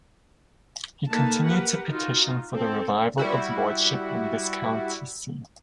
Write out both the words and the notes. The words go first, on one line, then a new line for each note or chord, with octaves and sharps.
He continued to petition for the revival of the lordship and viscountcy.
A#3 D#4 A4 B4 A5
G4 A#4 B4 F#5
D#4 F4 F#4
C4 A4
G3 E4 F#4